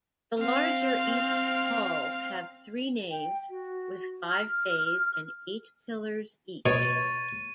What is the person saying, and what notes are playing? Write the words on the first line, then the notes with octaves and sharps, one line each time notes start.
The larger east halls have three naves with five bays and eight pillars each.
C4 F5
G5
F#4
F6
B2 C#5 C#6 G#6 A6 D#7